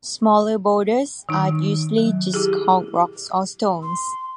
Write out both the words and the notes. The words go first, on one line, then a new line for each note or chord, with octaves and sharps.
Smaller boulders are usually just called rocks or stones.
D#3 D#4
F#3
E4 G4 G#4
C6